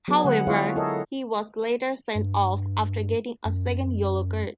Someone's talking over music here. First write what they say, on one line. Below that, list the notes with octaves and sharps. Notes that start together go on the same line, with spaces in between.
However, he was later sent off after getting a second yellow card.
F#3 B3 G#4
D3 G#3 F#5
E4 F4 G#4 C#5 F5
E4 A4 A#4 C#5 D#5
G2
F#2